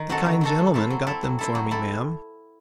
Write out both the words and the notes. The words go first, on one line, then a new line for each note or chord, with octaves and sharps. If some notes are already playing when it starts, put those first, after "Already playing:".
"The kind gentleman got them for me, ma'am."
Already playing: D#3
F#3 C4 F#4 A4
D#3
F#3 C4 F#4 A4
F#3
C4 E4 A4
F#3
C4 E4 A4
F#3
C4 E4 A4
F#3
C4 E4 A4